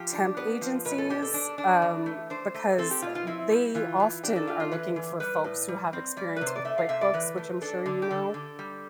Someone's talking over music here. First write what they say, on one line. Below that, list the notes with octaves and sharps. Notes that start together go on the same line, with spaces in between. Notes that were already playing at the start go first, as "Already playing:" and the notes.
temp agencies, um, because they often are looking for folks who have experience with QuickBooks, which I'm sure you know.
Already playing: F3 G4
D4
B3
F3
B2 B4
A4
D4 G4
A4
D4
D4
E3
A3
D4 C5
A3
C4 A4
G4
B2 F4
F4
C4 E4
G3
E3 F4
E3
D4 G4
A4
A3 F4
F4
E3 B4
E3
G3 B4
A2
G3
C4
G3 D5
B4
C3
C5
D5
A3 E5
F5
C3 E5
D5
E3 B4
A3
D4 A4
D3
G4
D3 A4
D3
G3